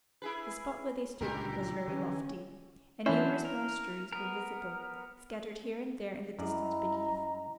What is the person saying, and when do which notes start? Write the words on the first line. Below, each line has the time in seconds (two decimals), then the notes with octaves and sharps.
The spot where they stood was very lofty, and numerous monasteries were visible, scattered here and there in the distance beneath.
0.22 E4 G#4 B4
1.21 C#2 A#2 D3 F#3 G4 A#4
1.88 D3 E3 C#4
3.06 E3 F#3 C#4 D4 E4 C5
3.45 A#4
4.13 B3 A#4
6.39 F#2 E4 D5 D#5 A#5